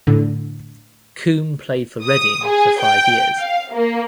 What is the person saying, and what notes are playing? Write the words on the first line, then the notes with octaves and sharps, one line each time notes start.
Coombe played for Reading for five years.
A2 D3
D#6
G#4
G5
F5
A#3